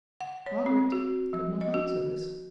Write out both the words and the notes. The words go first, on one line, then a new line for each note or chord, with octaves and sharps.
Margaret could not answer this.
F#5
C#5
C4
F#4
F3
D#5
F#4